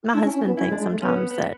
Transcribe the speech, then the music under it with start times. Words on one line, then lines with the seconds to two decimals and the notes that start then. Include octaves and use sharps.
my husband thinks sometimes that
0.13 D4 E4
0.24 C#4
0.36 C#4
0.46 B3
0.57 C#4 E4
0.69 G#3
0.72 D4
0.80 G#3
0.91 A3
1.02 B3 C#4
1.16 B3
1.31 B3